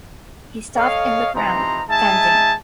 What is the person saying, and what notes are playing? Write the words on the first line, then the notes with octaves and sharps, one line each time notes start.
He stopped, and looked round, panting.
A4 C#5 D#5 F5
C3 E3 F3 D#4 A#5 C6
G#3 D#4 E5 G#5 A5